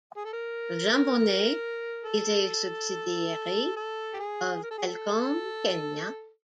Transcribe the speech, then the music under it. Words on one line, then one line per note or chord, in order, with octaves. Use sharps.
Jambonet is a subsidiary of Telkom Kenya.
G#4
A4
A#4
A4
A4
G4
G#4
A#4
A4
G#4
A4